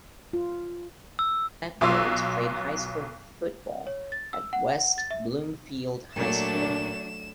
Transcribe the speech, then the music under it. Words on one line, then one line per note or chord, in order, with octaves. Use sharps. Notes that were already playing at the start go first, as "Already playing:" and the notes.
Edwards played high school football at West Bloomfield High School.
F4
E6
B1 F#3 F4 E6
C#5
A6
E6
F#5
A6
E5
A#2 F#3 A3 D4 E7